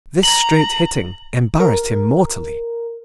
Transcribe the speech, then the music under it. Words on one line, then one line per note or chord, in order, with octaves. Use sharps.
This straight hitting embarrassed him mortally.
A#5 F#7
A#4